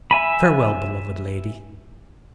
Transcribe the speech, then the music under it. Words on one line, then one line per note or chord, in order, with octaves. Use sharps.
'Farewell, beloved lady!
E5 G#5 B5